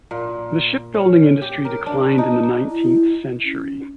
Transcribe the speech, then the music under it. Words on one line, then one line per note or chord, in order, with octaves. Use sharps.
The shipbuilding industry declined in the nineteenth century.
A#2
C#4
G4
A#4
D4
D#4
E4
C#4